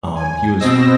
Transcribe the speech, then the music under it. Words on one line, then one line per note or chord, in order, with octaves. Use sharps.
Um, he was
G#5
B2 C4 D#5 E6 A#6